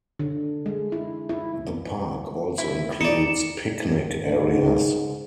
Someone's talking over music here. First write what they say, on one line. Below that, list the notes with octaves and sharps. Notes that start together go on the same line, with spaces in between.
The park also includes picnic areas.
D3
G#3
E4
E4
E4 B5
D#4 D5 C#7 E7
G#2